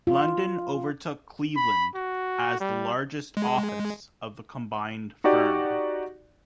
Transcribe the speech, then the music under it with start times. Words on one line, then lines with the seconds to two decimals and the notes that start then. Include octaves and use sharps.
London overtook Cleveland as the largest office of the combined firm.
0.07 F4
1.56 B5
1.95 F#4
2.60 G3
3.37 G#3
5.24 D#4 F#4 G4 D5